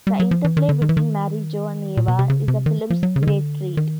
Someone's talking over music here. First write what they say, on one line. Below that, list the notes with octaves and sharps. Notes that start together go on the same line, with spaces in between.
The interplay between Mary Jo and Ava is the film's great treat.
G3
F#3
F3
E3
D#3
D3
D#3
E3
D#3
A#2
B2
C3
C#3
C3
D#3
F3
F#3
C#3
D#3
D3
D#3